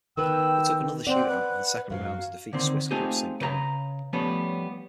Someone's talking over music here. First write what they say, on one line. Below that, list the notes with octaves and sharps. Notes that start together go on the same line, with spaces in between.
It took another shoot-out in the second round to defeat Swiss club Saint Gallen.
D#3 B3 B4 G5 E6
C4 D5 F#5
B4
F#2 E3 F#3 F5
D3 D#3 C4
A3 C4 D#4 F4 G4 G#4
C#3 B4 C5 A#5
F3 G3 A3 B3 C#4